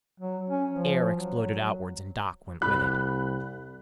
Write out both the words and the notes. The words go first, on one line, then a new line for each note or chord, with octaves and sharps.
Air exploded outwards, and Doc went with it.
F#3
C#4
F3
F#3
C2 B5 F#6